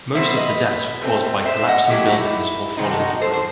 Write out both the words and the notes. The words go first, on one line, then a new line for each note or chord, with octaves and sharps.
Most of the deaths were caused by collapsing buildings or falling debris.
B2 F#3 C4 C5 E5
B4 D#5
B2 A3 C4
C5 E5
D#5 F#5
A2 F#3 A3 E4 G4
D#4 F#4
E4
C3 D#3 A3 C4 D#4
F#4 A4
D#4 F#4
A4 C5
C5